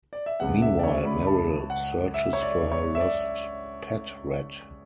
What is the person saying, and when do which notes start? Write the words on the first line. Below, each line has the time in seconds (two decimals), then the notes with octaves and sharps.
Meanwhile, Merrill searches for her lost pet rat.
0.13 D5
0.26 E5
0.40 C#2 C#3 G#3 B3 F#5
0.62 E5
0.79 D5
0.83 C#5
1.05 B5
1.23 B5
1.27 A5
1.70 F#5
2.14 E5
2.33 C#5
2.43 D5
2.72 C#5
2.95 E5
3.01 D5